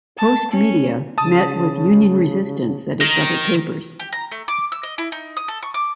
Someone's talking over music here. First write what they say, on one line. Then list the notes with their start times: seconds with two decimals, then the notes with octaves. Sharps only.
Postmedia met with union-resistance at its other papers.
0.18 A5
0.50 C#4
1.18 C#3 A5 D#6
3.01 D#3 A#6
4.00 G4
4.13 A#5
4.32 A3
4.48 D6
4.72 E6
4.83 D#5
4.98 E4
5.12 D#4
5.37 D#6
5.48 A4
5.63 C#6
5.74 D6